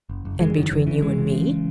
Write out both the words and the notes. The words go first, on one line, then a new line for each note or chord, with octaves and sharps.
"And between you and me?"
F#1
F#1
F#1 E3 G#3
F#2 D#3 F#3
F#1 E3
C#3 E3
F#1 E3 G#3
F#2
C#3